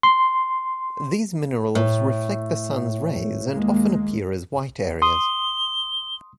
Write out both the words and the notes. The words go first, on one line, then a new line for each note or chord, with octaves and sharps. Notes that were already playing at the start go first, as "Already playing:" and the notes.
These minerals reflect the Sun's rays and often appear as white areas.
C6
A2
D#2 G#3 A#3
C6 D#6 G7